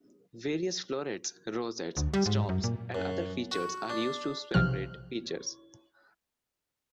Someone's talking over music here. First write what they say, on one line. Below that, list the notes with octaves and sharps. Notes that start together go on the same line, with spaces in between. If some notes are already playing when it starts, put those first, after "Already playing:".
Various florets, rosettes, stops, and other features are used to separate features.
D2
G3
G#2
F#2
A#2
F#2
F#4
D4
B1 C3 F3 F6